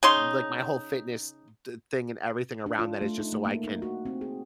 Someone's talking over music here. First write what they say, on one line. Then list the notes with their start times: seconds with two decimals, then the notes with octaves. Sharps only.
like, my whole fitness d thing and everything around that is just so I can
0.03 C#3 D#4 C6
2.66 D4
2.79 F4
3.01 A3
3.18 D#4
3.33 A3
3.45 A#3
3.64 D#4
3.82 F#4
4.05 C4
4.21 G#4